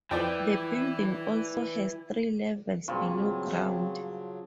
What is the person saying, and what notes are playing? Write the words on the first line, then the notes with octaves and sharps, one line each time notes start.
The building also has three levels below ground.
F2 E3 F3 E4 D5 G5
G2 A#2 C#3 F3 F#3 C4 C#6